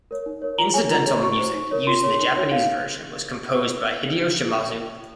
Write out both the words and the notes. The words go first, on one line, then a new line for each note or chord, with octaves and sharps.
Incidental music used in the Japanese version was composed by Hideo Shimazu.
A#4 C#5
D#4
A#4 C#5
F4 A#5
G#4 C#5 G#5
F4 A#5
G#4 C#5
F#4 C#6
C5
D#4
A#4 C#5
F4 C6
G#4 C#5
D#4
F#4 C#5
D#4 F5